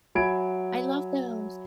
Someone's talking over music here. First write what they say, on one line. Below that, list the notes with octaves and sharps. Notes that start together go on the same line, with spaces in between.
I love those.
F#3 E5 G#5 B5 G#6 D7